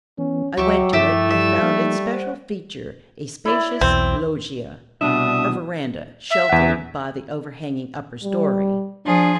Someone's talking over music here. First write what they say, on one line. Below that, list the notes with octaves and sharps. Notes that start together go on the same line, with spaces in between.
I went to it, and found its special feature a spacious loggia or verandah, sheltered by the overhanging upper story.
E3 B3 C#4
D2 F#3 G4 E5 C#6
G2 F3 A3 E4 G4 E5
G3 E5
F3 A#3 D#4
C5 F#5
E4 D5
B1 E2 C4
C2 B2 D4 E5 D#6
E5
E2 F#5
G3
F3 D4 G#4